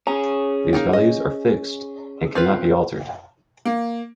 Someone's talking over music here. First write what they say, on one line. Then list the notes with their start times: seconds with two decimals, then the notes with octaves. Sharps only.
These values are fixed, and cannot be altered.
0.07 C#4 G#4 A#5
0.73 A#3 D#4 G5
0.93 D#5
2.35 C4 F4 B4
3.65 A#3